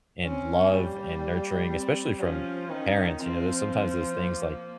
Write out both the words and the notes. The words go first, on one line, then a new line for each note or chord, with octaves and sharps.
and love and nurturing, especially from parents, you know, there's sometimes those things, like,
C4 C#4
G3 A#3
C4
F3 C#4
D#3 C#4
F3 C4
C4
A#3